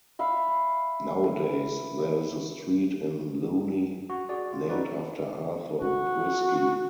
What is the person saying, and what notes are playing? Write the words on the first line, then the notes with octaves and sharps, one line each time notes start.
Nowadays, there is a street in Louny named after Arthur Breisky.
E5 F5 B5
F#4
F#4 G#4 D5
F4
D#4 E4 F#4 B4 D5
F#4